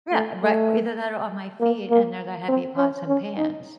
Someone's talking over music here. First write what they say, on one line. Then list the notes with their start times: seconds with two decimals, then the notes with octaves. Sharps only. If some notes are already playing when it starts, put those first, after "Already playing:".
Yeah, right, either that or on my feet, and they're the heavy pots and pans.
0.13 A3
0.43 A3
1.60 A#3
1.90 A#3
2.48 C4
2.77 C#4
3.08 C#4
3.37 D#4